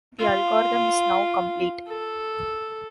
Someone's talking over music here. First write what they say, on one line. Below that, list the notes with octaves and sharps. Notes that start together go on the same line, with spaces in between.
The algorithm is now complete.
F4
A4